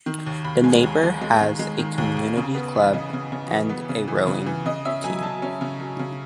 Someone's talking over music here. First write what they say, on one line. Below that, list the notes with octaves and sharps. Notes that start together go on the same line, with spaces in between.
The neighborhood has a community club and a rowing team.
D#3
D#2
D#2 B5
G#3 G#5
D#2
G#3
G#3
D#3
G#3
D#3
D#2
D#2
C#3
B3
E3
C#3 D#5
C#3
C#3
E3
B3
C#3
E3
C#3
E3
C#3 D#5
C#4 E5
F#3 G#5
F#3 A5
C#4
C#3
F#3
C#3